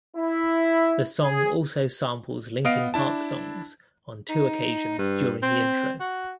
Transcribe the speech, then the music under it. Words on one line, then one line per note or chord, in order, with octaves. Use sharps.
The song also samples Linkin Park songs on two occasions during the intro.
E4
G#4
B3 D#5 F5 D7
D4 E4 A5
D#4
G2
C4
F#4